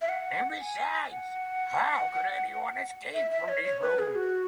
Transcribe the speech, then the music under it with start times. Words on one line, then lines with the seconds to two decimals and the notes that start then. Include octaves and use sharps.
And besides, how could anyone escape from these rooms?
0.02 E5
0.09 F#5
0.60 G#5
1.11 F#5
3.14 E5
3.31 E5
3.49 C#5
3.65 C#5
3.81 B4
3.99 G#4
4.15 F#4